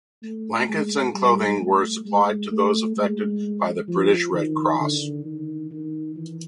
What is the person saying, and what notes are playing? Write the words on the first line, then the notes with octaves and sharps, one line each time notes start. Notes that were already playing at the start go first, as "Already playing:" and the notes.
Blankets and clothings were supplied to those affected by the British Red Cross.
A3
G#3
G3
A3
G#3
A3
G#3
F3
D#3
D3
D#3
D#3
E3